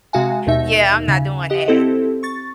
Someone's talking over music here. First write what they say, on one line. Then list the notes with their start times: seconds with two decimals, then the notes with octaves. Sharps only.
Yeah, I'm not doing that.
0.13 C3 G#3 F#4 F5 F#5 G#5
0.47 D#2 B2 D#4 E5
1.08 C#3
1.50 G4 D#5 F#5
1.68 C4 E4 G4 A4 C5
2.23 C#6 A6